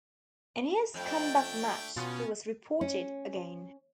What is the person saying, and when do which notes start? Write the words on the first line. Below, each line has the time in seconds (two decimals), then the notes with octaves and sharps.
In his comeback match, he was reported again.
0.94 F2 A3 D4 G5
1.96 B2 B3 C#4 F4
2.81 C#4